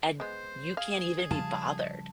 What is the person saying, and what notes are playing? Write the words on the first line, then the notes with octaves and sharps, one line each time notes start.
and you can't even be bothered.
G#3 B3 C5
G#4 F5
C#3 F3 G3 F4 A5